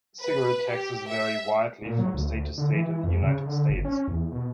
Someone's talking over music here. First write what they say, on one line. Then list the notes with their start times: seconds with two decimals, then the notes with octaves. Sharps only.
Cigarette taxes vary widely from state to state in the United States.
0.21 B4
0.70 G4
1.10 E5
1.82 A#2
1.99 F#3
2.14 D2
2.58 D3
2.73 E3
3.04 F2
3.23 C#3
3.46 D3
3.70 G1
3.85 C#4
4.08 E2
4.32 B2